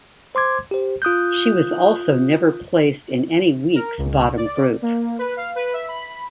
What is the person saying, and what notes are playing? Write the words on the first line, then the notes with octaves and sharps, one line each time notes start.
She was also never placed in any week's bottom group.
C5 C6 D6 G#6
G4 C5
F4 D#6 F#6 G6
A#4
C#2
D5
A#3
B4
F5
B4
E5
B5